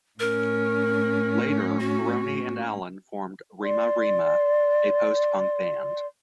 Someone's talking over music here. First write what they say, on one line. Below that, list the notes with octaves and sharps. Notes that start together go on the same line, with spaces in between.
Later, Pirroni and Allen formed Rema-Rema, a post-punk band.
A2 C#4 A#4
F#4
D5 C6